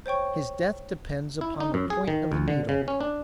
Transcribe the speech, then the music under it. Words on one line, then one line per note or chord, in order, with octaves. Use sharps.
His death depends upon the point of a needle.
C5 C#5 G5 C#6
E4
D#4
F#2
G#4
D#3
D2
D3
C#3
C#4
D4